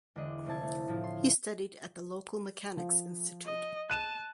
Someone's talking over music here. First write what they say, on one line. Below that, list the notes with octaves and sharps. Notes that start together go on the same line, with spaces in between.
He studied at the local Mechanics Institute.
E1 D3 D4 D#5
F1 C3 C4 E4 A5 G#6
A3
A2 D3 F3 E4
C6
F3
D#5
A5 F#6 D#7 E7